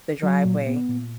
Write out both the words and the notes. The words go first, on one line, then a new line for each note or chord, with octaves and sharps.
the driveway,
F#3
A#2
B3
A#2